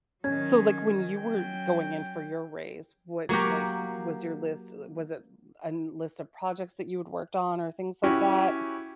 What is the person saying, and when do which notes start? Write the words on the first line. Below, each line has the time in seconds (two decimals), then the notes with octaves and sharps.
So, like, when you were going in for your raise, what, like, was your list, uh was it an list of projects that you had worked on, or things like that?
0.24 D#3 F#3 C#4 G#6
1.15 F#3 G5
3.29 F#3 A#3 F#4 G4
8.04 C#4 E4 F#4 G4